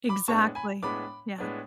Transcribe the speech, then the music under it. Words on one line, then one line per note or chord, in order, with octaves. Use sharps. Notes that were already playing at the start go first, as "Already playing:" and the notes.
Exactly. Yeah.
B5 D6
A2 G#3 B3 D4 A5 C#6
G#5 B5
A2 G#3 B3 D4 B5 D6
A2 G#3 B3 D4